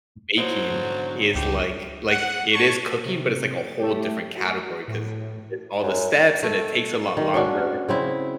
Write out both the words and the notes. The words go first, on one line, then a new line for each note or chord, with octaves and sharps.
baking is like, like it is cooking, but it's like a whole different category 'cause it's all the steps and it takes a lot longer.
F#3 E4 C5 D#5
G#2 D3
C#2 G4
F#5
C#5 A5 C#6
C3
A3 G4
F#4
A2
F#2
A3
D#3
C#4 D4 F#4
C#3 C4 E4